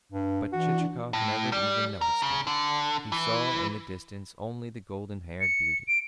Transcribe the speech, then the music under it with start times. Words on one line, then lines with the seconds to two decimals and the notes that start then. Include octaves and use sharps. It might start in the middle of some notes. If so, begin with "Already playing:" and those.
But Chichikov never even noticed him; he saw in the distance only the golden-haired beauty.
0.12 G2
0.52 E3 D4 F#4
1.13 A2
1.52 G3
2.01 A#4
2.22 C#3
2.47 D3
3.12 E3
5.41 C#7
5.88 D7